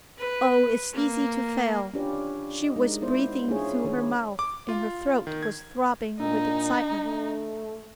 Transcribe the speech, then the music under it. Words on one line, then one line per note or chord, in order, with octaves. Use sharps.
"Oh, it's easy to fail!" She was breathing through her mouth and her throat was throbbing with excitement.
B4
A#3
C#4 D4 F4 G4 B4 D5
D#5
G#3 D#4 A#4
B3 E4 C5 D5
C#4 D4 E4 F4 G#4 C#5
D#3 C#4 G#4 B4 C#5
D6
F4
D#3
G#6
A#2 D4 D#4
A3